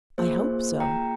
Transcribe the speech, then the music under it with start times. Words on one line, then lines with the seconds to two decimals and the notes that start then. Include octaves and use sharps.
"I hope so."
0.18 A#3 F4 G#4 C5
0.80 G5 A#5